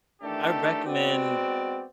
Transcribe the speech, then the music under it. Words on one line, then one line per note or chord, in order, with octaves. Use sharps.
I recommend,
D#3 E3 A3 D4 G4 A4
G#3 B3 C4 F#4 D5